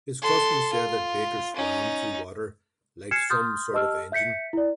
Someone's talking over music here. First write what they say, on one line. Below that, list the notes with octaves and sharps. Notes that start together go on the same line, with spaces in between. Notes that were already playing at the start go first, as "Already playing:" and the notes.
His cousin said that Baker swam through water "like some sort of engine".
A4 C6
F4
C#4 D#4
G#5 F6 G#6 C7 C#7 E7
C6 D#6 F6 G6 A6
G4 D#5 A5 E6 F6
E5 G6 B6 C#7
E4 D5